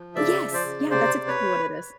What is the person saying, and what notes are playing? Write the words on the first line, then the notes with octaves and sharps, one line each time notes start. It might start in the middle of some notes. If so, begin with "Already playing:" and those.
Oh, yes! Yeah, that's exactly what it is.
Already playing: F3
C#3 D5 E5
F3
C5 D5
C#3
C3 C5 D5
C3
B4 C#5